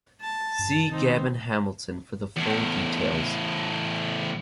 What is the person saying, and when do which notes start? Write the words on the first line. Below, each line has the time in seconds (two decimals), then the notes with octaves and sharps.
See Gavin Hamilton for the full details.
0.21 A5
0.59 G2
0.91 D#3 C4 D#4
2.37 E2 A2